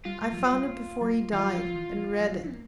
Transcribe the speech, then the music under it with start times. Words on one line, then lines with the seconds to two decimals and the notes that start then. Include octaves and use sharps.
I found it before he died--and read it.
0.05 G3 F4
0.22 G#3
0.33 F3
0.38 F#3
0.53 G3
1.01 F#3
1.33 E3 F4
1.43 F#3
1.53 F3
1.65 F3
1.76 E3
1.97 F3
2.21 F#3
2.29 G3
2.44 F3
2.51 A#3